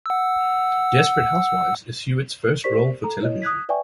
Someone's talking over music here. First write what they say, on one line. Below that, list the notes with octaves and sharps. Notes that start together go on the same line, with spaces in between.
"Desperate Housewives" is Huett's first role for television.
F#5 E6
G4 A#4 C5 D5 C#6 B6
A4 A#5
E4 C#5 D#5
D#6 F#6 G#6 B6
B4 D5 E5 G5 G#5 C#6